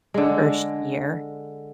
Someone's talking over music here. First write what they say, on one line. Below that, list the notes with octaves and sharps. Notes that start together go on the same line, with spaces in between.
first year,
D3 G#3